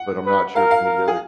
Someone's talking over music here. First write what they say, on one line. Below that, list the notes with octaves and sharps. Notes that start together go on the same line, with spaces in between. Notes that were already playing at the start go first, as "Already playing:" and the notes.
but I'm not sure if any of the other
Already playing: F#5
B4
A#4 F5
F5
A#4
G#4